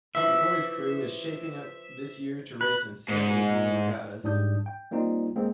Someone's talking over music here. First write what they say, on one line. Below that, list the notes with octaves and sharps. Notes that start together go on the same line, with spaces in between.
The boys crew is shaping up this year to race in several dual regattas.
E3 F3 E5
B4 F#6
G#2
G#2 G3 D4 D#6 G6
G5
G3 A#3 C4 D#4 F4
G#3 A#3 C4 G#4